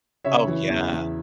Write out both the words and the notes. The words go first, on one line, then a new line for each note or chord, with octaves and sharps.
Oh, yeah.
C#3 C#5 E5
E3
E2
E2